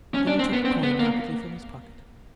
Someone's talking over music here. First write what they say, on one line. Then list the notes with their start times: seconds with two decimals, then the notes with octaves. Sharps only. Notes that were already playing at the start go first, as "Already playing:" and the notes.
Then he took a coin rapidly from his pocket.
0.14 C#4
0.27 D4
0.39 C4
0.53 B3
0.65 C4
0.83 B3
0.99 A#3